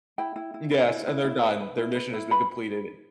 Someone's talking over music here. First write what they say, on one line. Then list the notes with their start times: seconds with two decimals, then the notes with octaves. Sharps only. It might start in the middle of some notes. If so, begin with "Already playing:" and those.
yes, and they're done, their mission has been completed.
0.18 E4 G5
0.36 E4
0.54 E4
0.71 B4
0.89 E4
1.08 E4
1.25 E4
1.43 B4
1.60 B4
1.78 E4
1.95 B4
2.13 E4
2.31 B4 B5